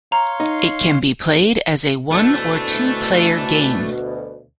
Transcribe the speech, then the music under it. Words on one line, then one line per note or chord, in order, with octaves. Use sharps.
It can be played as a one or two player game.
C#5 F5 A#5 C6
D#4
D2 B2 E3 A3 D4 A4